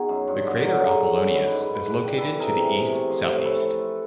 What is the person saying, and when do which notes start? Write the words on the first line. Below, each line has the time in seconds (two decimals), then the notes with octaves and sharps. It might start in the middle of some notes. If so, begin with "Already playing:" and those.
The crater Apollonius is located to the east-southeast.
Already playing: B2 D#3 F#4 G#4
0.09 F#2
0.28 G2
0.44 D3
0.62 F#3
0.80 F#2 G#4 A#4
0.97 F#2
1.16 F#2
1.33 G#2 B4
1.47 G#2 B4
1.61 B4
1.68 G#2
1.75 B4
1.86 E3 B4
2.04 G3 B4
2.18 E3 A4 B4
2.39 C3 G#4 A#4
2.57 C3
2.75 C3
2.92 A3
3.10 F3
3.28 A2
3.45 A3 A4 B4